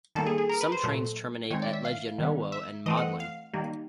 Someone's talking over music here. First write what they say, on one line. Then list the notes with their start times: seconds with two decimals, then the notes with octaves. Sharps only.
Some trains terminate at Legionowo and Modlin.
0.15 D#3 G3 A#3 A4
0.27 G#4
0.38 G#4
0.49 A#4
0.61 B4
0.72 C5
0.83 A#2 F#3 A3
1.50 D#3 G#3 C4 C#5
1.62 D5
1.73 E5
1.85 F5
2.18 D#3 G3 B3
2.52 E5
2.86 E3 A3 C4 D#5
2.97 F#5
3.20 F5
3.53 D#3 G3 A#3